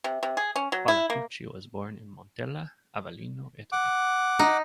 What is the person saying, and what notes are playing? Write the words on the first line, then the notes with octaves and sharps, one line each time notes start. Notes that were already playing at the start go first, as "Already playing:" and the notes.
Palatucci was born in Montella, Avellino, Italy.
C3
C3
G#4
C#4
F#3
E4
A#3
F#5 D6
D#4